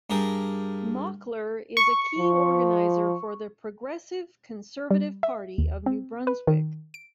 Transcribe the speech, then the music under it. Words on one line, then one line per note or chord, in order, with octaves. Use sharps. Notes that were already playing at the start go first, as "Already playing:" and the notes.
Mockler is a key organizer for the Progressive Conservative Party of New Brunswick.
G2 G4 G#4 A#4
C#6
F3
G3
E5
D#2
C4
B4
D#3
D7